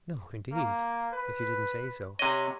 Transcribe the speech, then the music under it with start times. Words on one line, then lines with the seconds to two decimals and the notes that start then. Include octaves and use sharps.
"No, indeed, if you didn't say so."
0.52 A#3
1.13 B4
2.19 C3 C#5 D#5